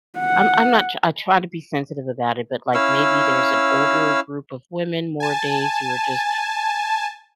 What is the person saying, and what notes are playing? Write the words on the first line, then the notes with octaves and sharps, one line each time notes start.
I'm I'm not I try to be sensitive about it, but, like, maybe there's an older group of women more days, who are just
F#5
C#4 E4 F5 E6
G#5 A5